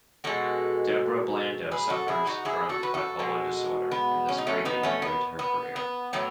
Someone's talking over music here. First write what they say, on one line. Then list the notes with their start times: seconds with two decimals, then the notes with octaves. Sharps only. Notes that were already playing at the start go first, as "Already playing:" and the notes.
Deborah Blando suffers from bipolar disorder and this greatly hindered her career.
0.24 B2 G#3 F#4 A4
1.71 G#4 B4
1.89 F#4 A4
2.08 E4 G#4
2.27 D#4 F#4
2.45 E4 G#4
2.69 F#4 A4
2.83 B4
2.94 F#4 A4
3.19 B2 G#3
3.92 B3
4.29 C#4
4.38 D#4
4.47 A3 C#4
4.65 B3 D#4
4.83 A3 C#4
5.02 B3
5.39 B3
5.76 B3
6.13 A2 F#3 B3